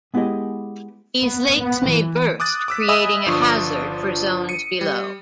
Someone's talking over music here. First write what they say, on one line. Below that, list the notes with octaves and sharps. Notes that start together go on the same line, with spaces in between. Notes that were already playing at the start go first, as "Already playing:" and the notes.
These lakes may burst, creating a hazard for zones below.
G#3 B3 E4 G4 G#4 D#5
B3
B3
E3
D6 D#6 F#6 A6
D6 E6 B6
D#5 E5 G#5 B5 D#6 E6
G1 F3 D4 F4 C#6
C#7 D#7
G3